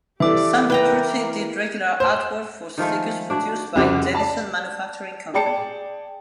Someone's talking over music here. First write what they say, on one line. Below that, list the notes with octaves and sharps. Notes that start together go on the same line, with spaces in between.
Sam Petrucci did regular artwork for stickers produced by Dennison Manufacturing Company.
E3 G4 A4 D5 E5 D6
A#3 A#4 B4 G5 A#5
C5
D#3 F3 G#3 A3
D4 F#4
C2 F2 C#3 F#4 C5 D6
D5 A5
G#4 D5 G5 A5 C#7